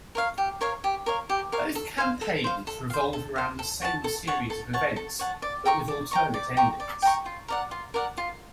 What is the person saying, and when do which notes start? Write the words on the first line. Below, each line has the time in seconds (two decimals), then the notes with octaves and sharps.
Both campaigns revolve around the same series of events, but with alternate endings.
0.15 A#4 C#5 F5
0.38 G4
0.61 A#4 C#5 F5
0.84 G4
1.06 A#4 C#5 F5
1.29 G4
1.52 A#4 C#5 F5
1.75 A4
1.98 C5 F5
2.21 A4
2.44 C5 F5
2.67 A4
2.90 C5 F5
3.13 A4
3.36 C5 F5
3.59 A4
3.82 C#5 F#5 A5
4.04 A4
4.27 C#5 F#5 A5
4.50 A4
4.73 C#5 F#5 A5
4.96 A4
5.19 C#5 F#5 A5
5.42 D5
5.65 G5 A#5 C#6
5.88 D5
6.11 G5 A#5 C#6
6.34 D5
6.57 G5 A#5 C#6
6.80 D5
7.02 G5 A#5 C#6
7.26 F4
7.48 A#4 D5 F#5
7.71 F4
7.94 A#4 D5 F#5
8.18 F4